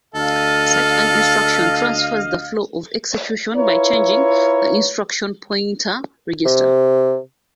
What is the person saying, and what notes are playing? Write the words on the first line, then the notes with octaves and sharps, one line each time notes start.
Such an instruction transfers the flow of execution by changing the instruction pointer register.
D2 A4 D#5 F5
E4 F4 A#4 B4 C#5
C3